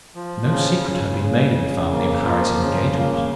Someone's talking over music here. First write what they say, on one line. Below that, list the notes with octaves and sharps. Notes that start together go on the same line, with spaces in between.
No secret had been made in the family of Harry's engagement.
F3
C#3
C#3
C#3
C#3
A#3
F3
C#3
A#3